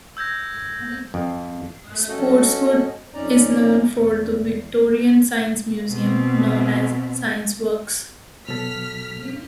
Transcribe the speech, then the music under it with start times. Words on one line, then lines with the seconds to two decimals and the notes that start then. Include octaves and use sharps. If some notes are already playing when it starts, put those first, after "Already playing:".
Spotswood is known for the Victorian Science Museum, known as Scienceworks.
0.17 E6 G6 G#6 A#6
1.14 F2
2.08 C#4 F#4 A4 D#5
3.14 F2 C#4 D#4 D5 A#5
3.90 E2
5.89 B2 C4
8.48 B2 F#3 A4 F6 B6